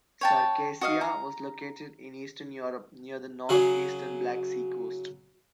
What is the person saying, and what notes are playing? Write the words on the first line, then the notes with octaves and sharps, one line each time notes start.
Circassia was located in Eastern Europe, near the northeastern Black Sea coast.
C#5 G5 A5
F#4 D#5 F5
A#5
C#3 F#3 G#4